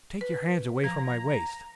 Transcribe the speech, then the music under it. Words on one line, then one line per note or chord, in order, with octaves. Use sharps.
"Take your hands away from my waist."
B4
F3 A#5